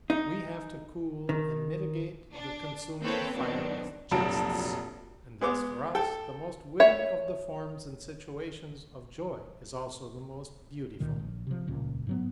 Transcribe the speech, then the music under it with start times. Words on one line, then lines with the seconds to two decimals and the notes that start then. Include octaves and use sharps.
We have to cool and mitigate the consuming fire with jests, and thus for us the most witty of the forms and situations of joy is also the most beautiful.
0.10 D#4
1.29 D#3
2.34 D4
3.02 A#3 C4 A4 B4 C#5 G5
3.34 B2 D#3 F#3 C4 D4
4.11 F1 A#1 F#3 A5 D7
5.41 G#3 B3 D6
5.95 A4 G5
6.80 C#5 E5
11.00 C#2 A#2 D#3
11.19 A#1
11.47 C3 F3
11.67 D#1 C#2 A#2
12.07 G#2 F#3 B3